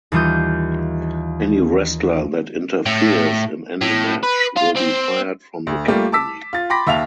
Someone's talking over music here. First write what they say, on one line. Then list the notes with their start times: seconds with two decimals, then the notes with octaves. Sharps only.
Any wrestler that interferes in any match will be fired from the company.
0.12 D#2 E3 G3 F4 D#6 G6
2.86 A2
3.81 A2
4.23 B4
4.56 F4
4.76 C4
5.67 D2
5.88 G3 A3 A#3 F4 G4
6.12 A5 D6 E6 B6
6.53 F4 A6
6.70 G5 B5 C6 D6 A#6 B6
6.87 D#2 E5 F5 A5 F7